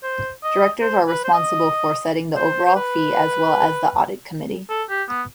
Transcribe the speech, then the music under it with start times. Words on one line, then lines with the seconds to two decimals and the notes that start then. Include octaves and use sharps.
Directors are responsible for setting the overall fee as well as the audit committee.
0.03 C5
0.43 D#5
0.81 C5
1.07 B4
1.24 C5
1.33 D#5
2.36 C5
2.65 C5
2.76 B4
4.70 A4
4.90 G4
5.09 B3